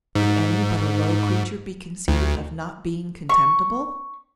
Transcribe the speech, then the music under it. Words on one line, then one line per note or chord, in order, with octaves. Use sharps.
Could any but a low creature be conceited of not being contemptible?
G#2
D2
C#6